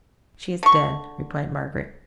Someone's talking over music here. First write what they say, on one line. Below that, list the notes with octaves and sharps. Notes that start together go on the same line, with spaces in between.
'She is dead,' replied Margaret.
D3 C#6